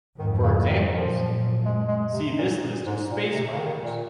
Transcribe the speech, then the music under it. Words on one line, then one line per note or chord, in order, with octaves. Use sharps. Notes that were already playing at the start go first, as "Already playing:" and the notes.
For examples, see this list of space fighters.
F2 G#2 D#3
C#3
D#3
F#2 A#2 F3
G#3
G#3
C3
A#2
G#2
A#2
C3
C#3
D#3
A#2